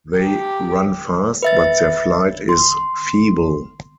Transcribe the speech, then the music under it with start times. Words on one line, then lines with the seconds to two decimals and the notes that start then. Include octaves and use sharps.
They run fast, but their flight is feeble.
0.17 G4
1.42 B4 E5 A6
2.49 C6